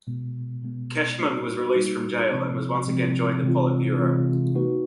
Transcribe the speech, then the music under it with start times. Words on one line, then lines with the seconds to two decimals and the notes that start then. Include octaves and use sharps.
Keshtmand was released from jail, and was once again joined the Politburo.
0.07 B2 G#3 B3
0.63 B2 G#3 B3
1.19 G3 A#3 D#4 F#4
1.75 G3 A#3 D#4 F#4
2.31 C3 F3 G#3 C4
2.87 C3 F3 G#3 C4
3.43 C3 E3 G#3 C4 F4
3.99 C3 E3 G#3 C4 F4
4.55 A#3 D#4 F#4 B4